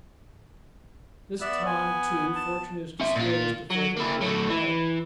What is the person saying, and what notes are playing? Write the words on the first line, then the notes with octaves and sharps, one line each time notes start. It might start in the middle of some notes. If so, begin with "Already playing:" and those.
This time, too, fortune is disposed to favour the young pike.
B3 D5 E5 E6
G#5
A5
C#4 E5
A#2 F4
F#3
A#3 E4
F#3 A3
E3